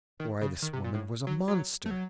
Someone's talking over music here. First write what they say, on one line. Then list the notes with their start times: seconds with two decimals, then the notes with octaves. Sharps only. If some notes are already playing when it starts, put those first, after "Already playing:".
Why, this woman was a monster!
0.20 D#3
0.41 C#3
0.62 D#3
0.73 C3
0.84 A#2
0.94 A2
1.27 F#3
1.48 F#3
1.86 A3
1.91 F#3